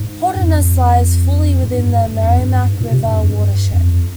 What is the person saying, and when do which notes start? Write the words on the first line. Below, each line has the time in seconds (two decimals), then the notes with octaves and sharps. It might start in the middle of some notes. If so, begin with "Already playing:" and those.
Holderness lies fully within the Merrimack River watershed.
Already playing: G#2
0.37 G2
0.41 F2
1.63 G#2
1.74 G2
2.06 G2
2.23 F2
2.40 G2
2.72 G#2
2.81 A#2
2.89 C3
3.05 G2
3.16 F2
3.27 G2
3.72 F2